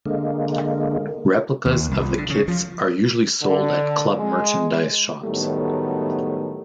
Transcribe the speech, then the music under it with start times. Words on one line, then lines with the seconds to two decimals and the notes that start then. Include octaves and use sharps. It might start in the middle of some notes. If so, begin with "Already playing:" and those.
Replicas of the kits are usually sold at club merchandise shops.
0.06 D3 G#3 A#3
1.65 D#2
1.91 C2
2.17 D3
2.30 C#3
2.48 F3
3.43 D3
4.18 G#3
5.24 A2 D#3 F#3 G3 A3 B3